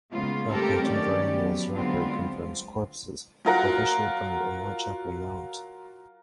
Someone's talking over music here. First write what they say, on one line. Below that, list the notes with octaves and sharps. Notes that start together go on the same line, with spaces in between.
No contemporaneous record confirms corpses were officially buried in Whitechapel Mount.
C#3 G#3 A#3 B3 F4
G3 A3 C4 G4 A4 A#4
D#3 F#3 A3 C#4 G4 D5
F3 F#3 B3
D3 F#3 G#3 B3 C4 F4
F#3 F4 A#4 F#5